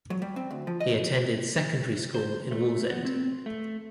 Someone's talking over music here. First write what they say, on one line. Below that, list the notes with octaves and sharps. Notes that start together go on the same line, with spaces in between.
He attended secondary school in Wallsend.
F#3
G3
C4
D2
F3
D#5
C5
A3
B3
C4
A3